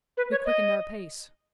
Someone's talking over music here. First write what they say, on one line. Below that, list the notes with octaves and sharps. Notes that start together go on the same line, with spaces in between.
We quickened our pace.
B4
C#5
D#5